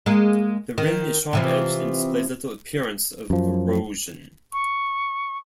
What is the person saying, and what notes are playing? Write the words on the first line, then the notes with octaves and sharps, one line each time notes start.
The rim is sharp-edged and displays little appearance of erosion.
G#3 A#3
D#3
C3 E3 F3
F#2 F3
C#6